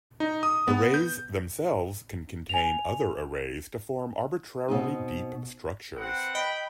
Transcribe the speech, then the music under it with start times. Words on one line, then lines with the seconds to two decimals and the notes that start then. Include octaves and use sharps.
Arrays themselves can contain other arrays to form arbitrarily deep structures.
0.20 D#4
0.43 D#6
0.68 B3
0.94 G6
2.49 G#5 F7
4.68 B2 C4 D#4
5.95 C4 B4 F#5
6.35 D#5 G5 B5